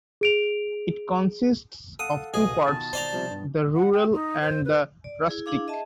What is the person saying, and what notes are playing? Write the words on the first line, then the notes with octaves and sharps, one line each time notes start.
It consists of two parts : the rural and the rustic.
G#4 D7 F7
A4 F5 F#5 D#6
B1 G#4 D#5
B2 D#3 F4 A5
C5 D5 A#5
C3 F3 G3
G2
F#5
G5
D#4
C5
B4
D5
E4 G#4
D4 E4 G#4 F5 D6
G#4 D#5 E5 A5